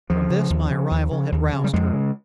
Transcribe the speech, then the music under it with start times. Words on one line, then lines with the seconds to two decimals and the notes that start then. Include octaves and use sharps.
From this my arrival had roused her.
0.10 D#2 F3
0.30 C#3
0.50 D#2
0.71 C#3
0.91 D#2
1.11 C#3
1.32 D#2
1.53 C#3
1.64 G3
1.73 F2 G#3
1.94 C#3